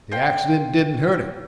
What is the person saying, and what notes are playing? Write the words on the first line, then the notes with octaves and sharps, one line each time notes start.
The accident didn't hurt him.
C5 F5 G5